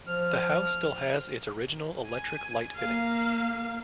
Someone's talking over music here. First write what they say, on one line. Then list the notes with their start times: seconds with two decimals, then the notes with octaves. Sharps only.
The house still has its original electric light fittings.
0.07 F3 F6
2.06 G#5
2.76 A#3 F5